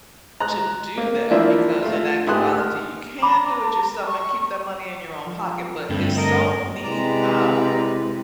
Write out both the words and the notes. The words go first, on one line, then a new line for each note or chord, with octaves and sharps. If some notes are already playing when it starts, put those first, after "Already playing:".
to do that, because in actuality, you can do it yourself and keep that money in your own pocket. But it's so neat, um,
A#5 F#6
A#3
E3 F3 A#3 D4 F4 E5
A3 F4
G#2 A3 G4 C6 D#6 F#6
F6
A#5 B5 D6
C#6
F3
G2 D3 A3 C4
A#4 D#5
C3 G#3 E4 B4 D5 A#5